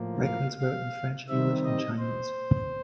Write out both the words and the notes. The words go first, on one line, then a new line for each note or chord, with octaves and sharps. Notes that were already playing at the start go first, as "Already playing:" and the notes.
Ryckmans wrote in French, English and Chinese.
Already playing: A2 F3 A#3
F5
F5
C3 D#3 G3 C4 E5
D#5
C5